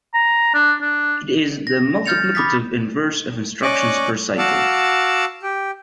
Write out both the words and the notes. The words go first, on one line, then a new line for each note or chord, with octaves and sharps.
It is the multiplicative inverse of instructions per cycle.
A#5
D4
D4
A#6
F6 G6 A6 C#7 F7
B5 D6 D#6 A6 B6
C#4 D5 D#5 C#6 D6 F#6
F#4 F5 F#5 A5 D6 E6
G4 G5